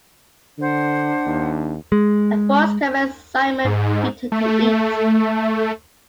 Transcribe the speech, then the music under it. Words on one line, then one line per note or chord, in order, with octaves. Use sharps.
A voice commands Simon Peter to eat.
D3 D4 C5 F#5
D#2
G#3
G#2
A3